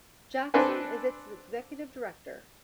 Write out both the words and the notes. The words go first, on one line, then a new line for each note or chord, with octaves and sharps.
Jackson is its executive director.
C4 D4 A4 B4 G#5